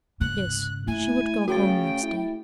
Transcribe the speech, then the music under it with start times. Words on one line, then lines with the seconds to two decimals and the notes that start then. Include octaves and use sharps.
Yes, she would go home next day.
0.20 G#2 C#3 F#6
0.87 A3 E4 G#5
1.48 C#3 F#4 G5 A6
2.03 E4